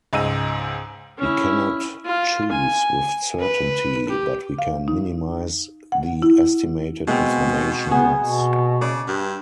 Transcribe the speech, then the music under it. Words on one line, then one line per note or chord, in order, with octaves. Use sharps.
We cannot choose with certainty, but we can minimize the estimated information loss.
C#2 G#2 D#5 E6 D#7
C#4 E4
F4
G#5
B4
G4
F5
D#4
F#5
E4
B2 G#3 B3 C4
B3 G#4
B2
C#3 D5
G2